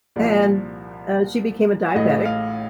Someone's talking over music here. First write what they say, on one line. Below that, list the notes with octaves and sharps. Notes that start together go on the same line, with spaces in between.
and, uh, she became a diabetic.
C2 A#2 F3 D5
A1 A2 A3 D#5
F5